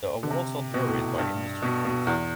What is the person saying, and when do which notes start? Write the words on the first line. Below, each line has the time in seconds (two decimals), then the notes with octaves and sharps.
The awards are juried by industry peers.
0.23 D3
0.31 C3
0.74 B2
0.89 A2
1.19 G2
1.62 B2
1.85 B2
2.07 E2